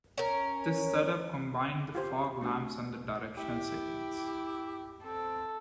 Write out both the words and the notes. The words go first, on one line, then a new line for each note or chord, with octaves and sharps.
This setup combined the fog lamps and the directional signals.
C#4 A#4
F4 G4 C5
A3 D4 F#4
E4 G4
C4 A4